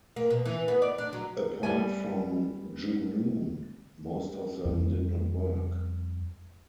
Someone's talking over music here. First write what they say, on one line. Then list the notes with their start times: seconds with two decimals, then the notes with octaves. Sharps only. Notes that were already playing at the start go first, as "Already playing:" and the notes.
Apart from "Junoon", most of them did not work.
0.16 A#3
0.30 B2
0.45 E3
0.68 B3
0.82 D5
0.98 D4
1.13 F#3
1.63 G3 B3 G#5
4.65 F2 G3